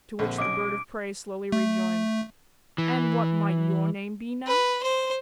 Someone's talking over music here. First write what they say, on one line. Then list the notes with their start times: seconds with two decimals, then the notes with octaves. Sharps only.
To which the bird of prey slowly rejoined, 'And what might YOUR name be, now?'
0.19 A#1 D3 C4
0.38 B1 C#4 D#5 D6 D7
1.52 A3
2.78 E3
4.47 B4
4.83 C5